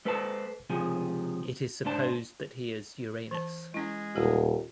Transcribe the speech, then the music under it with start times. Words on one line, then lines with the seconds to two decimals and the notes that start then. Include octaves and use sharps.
It is supposed that he is Uranus.
0.05 G#3 A4 B4 C5 F5 A5
0.70 C#2 C3 F3 G#4
1.84 C#2 G#2 D4 C5 A5
3.31 E3 A5
3.74 G#3 C#4 E4
4.16 D#1 F4 G4